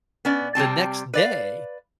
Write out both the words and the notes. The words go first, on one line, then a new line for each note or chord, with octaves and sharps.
the next day,
B3 C#4 D5
C3 G3 C4 A5
B4 D5 F5